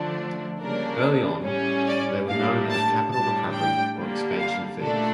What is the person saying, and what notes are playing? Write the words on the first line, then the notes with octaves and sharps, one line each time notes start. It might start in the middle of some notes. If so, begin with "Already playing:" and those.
Early on they were known as Capital Recovery or Expansion fees.
Already playing: D3 F3 A3 D4
C#3 G3 A#3 D4 A#4
A2 G3 C#4
D5
A2 G3 A#3 D4 F5
A5
A2 G3 D4 A5
G5
D3 G3 A#3 D4
F5
A#2 A3 D4 A4